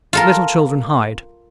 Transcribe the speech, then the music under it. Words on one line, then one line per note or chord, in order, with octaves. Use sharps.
Little children hide.
F4 A4 A#4